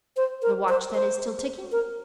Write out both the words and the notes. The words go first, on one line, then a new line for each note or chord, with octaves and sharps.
"The watch that is still ticking?"
C5
A#4
C5
C5
A#4